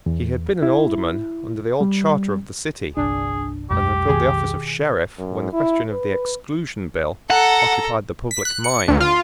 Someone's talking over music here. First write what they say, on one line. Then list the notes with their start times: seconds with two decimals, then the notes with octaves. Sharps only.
He had been an Alderman under the old charter of the City, and had filled the office of Sheriff when the question of the Exclusion Bill occupied the public mind.
0.06 E2
0.63 E4
1.81 G3
2.97 G1 C2 D4 G#4
3.71 B1 F2 G#3 G4
4.07 B2 D#3 G#4
5.18 F#2
5.53 E4
5.91 B4
7.30 A4 F#5 A#5
8.31 B6
8.45 F#6
8.64 C#7
8.88 D2
9.00 F4